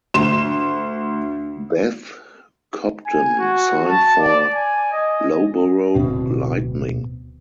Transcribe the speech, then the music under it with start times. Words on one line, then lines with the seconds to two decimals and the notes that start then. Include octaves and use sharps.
Beth Cobden signed for Loughborough Lightning.
0.14 D2 C6 E7
3.06 G#5
3.39 F#4
3.86 A5
4.20 D5
4.54 G#5
4.92 D#5
5.95 D1 B2 C4